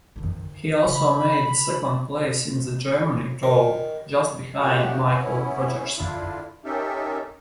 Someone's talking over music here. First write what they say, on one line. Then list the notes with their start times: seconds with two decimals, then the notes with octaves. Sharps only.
He also made a second place in the Germany Tour, just behind Michael Rogers.
0.16 D3 D#3
0.85 C#3 B5
3.43 D#3
4.60 A#2 C#3 A3 F#4 G4
5.05 B3 C#4 E4
5.98 D3 D4 E4 F4
6.65 C#4 D#4 G4 A4 A#4 E5